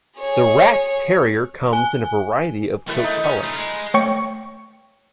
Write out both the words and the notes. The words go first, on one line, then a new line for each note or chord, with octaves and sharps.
The Rat Terrier comes in a variety of coat colors.
G#4 C#5
G#5
D#3 A3 E4 B4
D#4
C#4
A3 F4 D#5
G#3
A3 C#5 G5 C#6 C#7